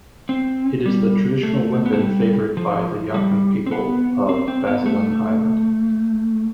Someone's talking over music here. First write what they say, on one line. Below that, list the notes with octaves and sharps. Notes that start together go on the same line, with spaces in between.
It is the traditional weapon favored by the Yakan people of Basilan Island.
C4
G3
A3
B3
A3
G3
F3
G3
C4
B3
C4
C4
B3
A3